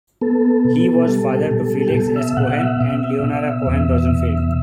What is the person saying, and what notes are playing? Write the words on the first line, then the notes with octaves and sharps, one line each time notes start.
He was father to Felix S. Cohen and Leonora Cohen Rosenfield.
B3 A4
B2
G3
B2
G4
B2 A4
E5
B2 F#5
E5
B2
B2
E2
B2